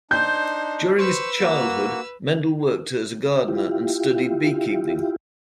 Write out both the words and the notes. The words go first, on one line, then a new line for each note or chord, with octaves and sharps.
During his childhood, Mendel worked as a gardener and studied beekeeping.
D4 D#4 C5 G6
B4 C5 C#6 E6
A#3 F#4
E4 F4 G4